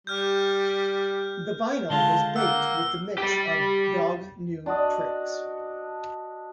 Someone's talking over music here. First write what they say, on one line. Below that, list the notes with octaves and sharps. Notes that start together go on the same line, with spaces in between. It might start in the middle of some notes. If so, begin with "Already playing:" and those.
The vinyl was backed with the mix of "Dog New Tricks".
G3 F6 G6
D3 G#3 F4 A5
A#3 F#5 E6
G3 G4
D4 F#4 D5 D#5